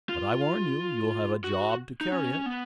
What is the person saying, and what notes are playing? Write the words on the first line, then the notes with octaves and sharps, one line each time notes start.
"But I warn you, you'll have a job to carry it."
F4
F#4
D#4
C#4
B3